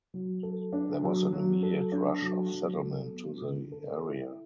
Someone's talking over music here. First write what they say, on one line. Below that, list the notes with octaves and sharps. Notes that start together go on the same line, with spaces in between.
There was an immediate rush of settlement to the area.
F#3
A4
D4
F#3
F#3
A4
D4
F#3
F#3
A4
B3
D3
A4
E4